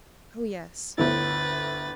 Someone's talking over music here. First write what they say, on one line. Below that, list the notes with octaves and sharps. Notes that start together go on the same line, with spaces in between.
"Oh yes."
G1 D2 E4 B4 A6